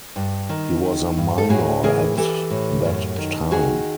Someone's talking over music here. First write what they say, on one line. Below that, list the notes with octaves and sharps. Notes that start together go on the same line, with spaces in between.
He was a minor at that time.
G2
D#3
D#3
G2
A4
A2 F#4 G#4
E3 G#4 A#4
E3 G4 A4
A2
F#2
D#3
D#3 F#4 G#4